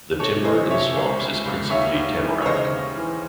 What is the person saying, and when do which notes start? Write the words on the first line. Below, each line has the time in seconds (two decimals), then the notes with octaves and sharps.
The Timber in the Swamps is principally Tamarac.
0.19 C3 A4 C#5
0.45 E3 C5 D#5
0.70 C3 C#5 E5
0.96 C#2
1.20 C#2
1.46 C#2
1.70 D#2 C#5 E5
1.95 D#2
2.20 E3
2.42 C#5
2.45 C#3 C5 D#5
2.71 D#2
2.96 E3